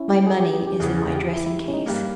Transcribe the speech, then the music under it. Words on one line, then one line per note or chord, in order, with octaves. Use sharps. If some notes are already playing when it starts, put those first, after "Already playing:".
My money is in my dressing-case.
Already playing: C#4 E4
G4
G#4
G4
G4
G4
E2 C#3 E3 G#4
G#4
G4
E4
E4
E4
C#4
D#4
G2 G3 A#3